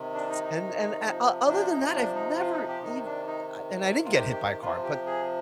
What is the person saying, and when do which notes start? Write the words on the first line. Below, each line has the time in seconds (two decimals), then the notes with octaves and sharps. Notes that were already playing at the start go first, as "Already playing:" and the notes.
S and and a o other than that, I've never ev uh I and I didn't get hit by a car, but,
Already playing: C3 D#3
0.14 D4
0.30 D#4
0.44 D#4
1.04 C3 F3
1.48 D4
1.70 D#4
1.94 D4
2.15 D#4
2.38 F4
2.53 D#4
2.68 G4
2.82 C3 D#3 D#4
3.05 D4
3.27 D#4
4.05 F4
4.16 G4
4.31 G4
4.46 G4
4.61 C3 F3 F4
4.84 G4
5.06 G#4